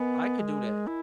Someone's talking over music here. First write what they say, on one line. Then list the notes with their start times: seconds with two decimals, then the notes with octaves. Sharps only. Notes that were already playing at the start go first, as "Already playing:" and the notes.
I could do that,
Already playing: B3 A#4 D#5 G#5
0.39 G#3
0.87 E4